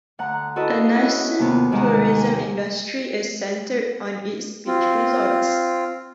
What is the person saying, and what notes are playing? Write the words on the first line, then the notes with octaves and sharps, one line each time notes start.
A nascent tourism industry is centered on its beach resorts.
D2 F#5 A#5
E4 F#4 A4 B4 D#5
C#4 E4 D#5 F#5
D#2 C3 B3 D#4
C3 D#3 G#3 G4 F#5 A#5
G5 G#5
C4 F4